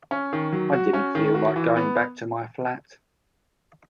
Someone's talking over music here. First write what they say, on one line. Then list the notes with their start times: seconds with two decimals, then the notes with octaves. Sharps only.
I didn’t feel like going back to my flat.
0.11 C#4
0.33 D#3
0.52 F#3
0.73 F#4
0.93 C#4
1.15 D#3
1.34 F#4
1.56 E3
1.76 B3